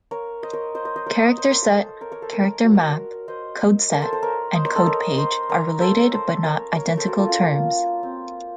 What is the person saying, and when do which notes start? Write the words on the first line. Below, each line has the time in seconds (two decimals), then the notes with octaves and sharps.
"Character set", "character map", "codeset" and "code page" are related, but not identical, terms.
0.11 A#4 C#5
0.43 C5 D#5
0.53 A#4 C#5
0.75 C5 D#5
0.85 C5 D#5
0.96 C5 D#5
1.06 A#4 C#5
1.38 C5
1.51 A#4
1.62 A4 C5
2.01 A#4 C#5
2.12 A#4 C#5
2.22 A4 C5
2.33 A#4 C#5
2.44 A#4 C#5
2.64 F#4 A#4
3.28 C5 D#5
3.91 A#4 C#5
4.02 A4 C5
4.13 A4 C5
4.23 A#4 C#5
4.54 C5 D#5
4.65 A#4 C#5
4.75 A4 C5
4.86 A#4 C#5
5.18 C5 D#5
5.49 A#4 C#5
5.81 A4 C5
5.97 A#4 C#5
6.13 A4 C5
6.44 A#4 C#5
6.76 A#4 C#5
6.87 A#4 C#5
6.97 A4 C5
7.08 F#4 A#4
7.19 F4 A4
7.29 C#4 F4
7.40 A#3
8.03 C4